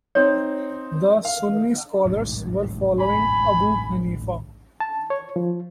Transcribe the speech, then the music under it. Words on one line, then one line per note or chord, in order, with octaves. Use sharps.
The Sunni scholars were following Abu Hanifa.
C4 D#4 C#5
F5
A1 D2 G#2
G#5 B5
A5
C#5
F3